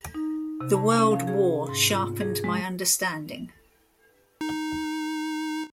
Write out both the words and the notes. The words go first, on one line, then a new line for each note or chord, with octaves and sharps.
The World War sharpened my understanding...
D#4
C3
A5
C#4
F5
G#4
G#2
F4
G#4
G#3
D#4